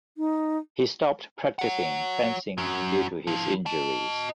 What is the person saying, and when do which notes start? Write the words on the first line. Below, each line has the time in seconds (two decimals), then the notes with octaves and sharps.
He stopped practising fencing due to his injuries.
0.18 D#4
1.59 C#5 F#5
2.58 F#2 F#3
3.27 F3 E4
3.66 D#5 A5